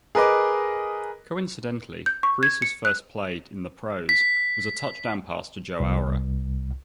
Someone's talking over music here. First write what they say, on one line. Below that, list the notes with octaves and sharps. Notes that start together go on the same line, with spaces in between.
Coincidentally, Griese's first play in the pros was a touchdown pass to Joe Auer.
G#4 A#4 B4 D#5 D6
G6
C#6
G#6
C#7
F#6
B6
C2